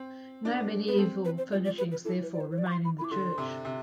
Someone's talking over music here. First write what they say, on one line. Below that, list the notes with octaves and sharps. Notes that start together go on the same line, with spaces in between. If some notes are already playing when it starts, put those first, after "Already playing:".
No medieval furnishings therefore remain in the church.
Already playing: C4
D4
B3 B4
C4 A4
B4
C5
F3 D5
D5
B4
B4
E3 A4
B4
D5
C5
C5
D5
D6
C6
B5
B5
E3 D6
D3 C6
C3
C3